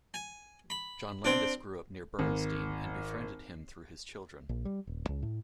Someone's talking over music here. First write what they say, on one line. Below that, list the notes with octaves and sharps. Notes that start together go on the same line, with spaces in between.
John Landis grew up near Bernstein, and befriended him through his children.
G#5
B5
C4 D4
G#1
A#1
G3
D#1
C#2
A2